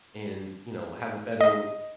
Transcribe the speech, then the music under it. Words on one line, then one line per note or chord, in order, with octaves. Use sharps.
and, you know, have a better
D#5